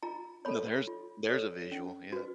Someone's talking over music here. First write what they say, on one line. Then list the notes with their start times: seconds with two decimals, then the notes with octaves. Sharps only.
Now there's there's a visual, yeah.
0.03 F4 A#5
0.45 A4 C#5 B5
0.87 F4
1.29 A4 C#5
1.72 C#4
2.12 F#4 B4